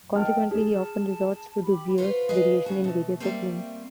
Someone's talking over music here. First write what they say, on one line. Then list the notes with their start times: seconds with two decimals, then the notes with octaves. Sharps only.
Consequently, he often resorts to dubious variations in various openings.
0.15 A#4 D#5 G5 A5 F6
0.51 G#4 A5
1.63 G4 B5
1.98 F4 F#4 B4 C5 F5
2.29 G#4 B4 D#5 F5
2.66 C#3 F#4
2.84 B2 A3
3.20 G3 A3 A#3 C4